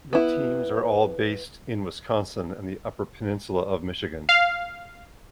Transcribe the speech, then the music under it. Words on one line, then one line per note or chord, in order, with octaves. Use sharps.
The teams are all based in Wisconsin and the upper peninsula of Michigan.
B3 E4
F5